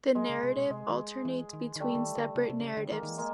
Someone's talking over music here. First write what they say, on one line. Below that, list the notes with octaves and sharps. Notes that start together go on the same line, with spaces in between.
The narrative alternates between separate narratives.
F#3 G#3
C#3
C3
B2
C3 G#3
D#3
E3
D#3
D#3
D3 G3 A3
D3
D#3
D3
C#3
C3
D3
C#3
D3
D#3 G#3 A#3
D#3
E3
G#3 A#3